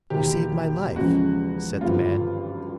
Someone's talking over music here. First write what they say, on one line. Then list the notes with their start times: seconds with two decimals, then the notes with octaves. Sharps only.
"You saved my life," said the man.
0.10 E1 D#2 D#3 G4
0.96 E2 C#3 F3 G#3 F#4
1.81 G#1 G2 D3 F4